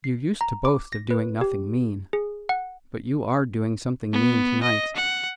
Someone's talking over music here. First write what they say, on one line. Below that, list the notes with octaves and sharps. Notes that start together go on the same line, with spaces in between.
You used to boast of doing nothing mean, but you are doing something mean tonight.
C7
A#5
D6
A#6
B4
G4
G#4
F#5
B3
D#5
F#5